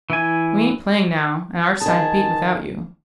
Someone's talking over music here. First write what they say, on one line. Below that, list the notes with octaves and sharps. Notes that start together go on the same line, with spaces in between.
"We ain't playing now, and our side beat without you."
E3 E4 G#5
D#3 G#4 A5